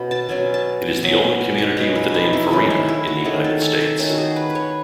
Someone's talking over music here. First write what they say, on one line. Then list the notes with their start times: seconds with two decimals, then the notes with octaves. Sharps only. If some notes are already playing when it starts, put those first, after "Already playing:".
It is the only community with the name "Farina" in the United States.
Already playing: B2 C#4
0.11 A5
0.29 B2 F#3 C#4 G#5
0.54 A5
1.03 B2 F#3 C#4 B5
1.41 G#5
1.58 F#5
1.77 B2 F#3 C#4 D#5
1.95 B4
2.14 D#4
2.33 E4
2.51 D#3 A3 C#4 E4
2.70 E4
2.88 E4
3.07 F#4
3.25 D#3 A3 C#4 G#4
3.44 A4
3.62 A4
3.81 A4
3.99 D#3 A3 C#4
4.09 F#4
4.18 G#4
4.36 B4
4.50 B4
4.55 C#5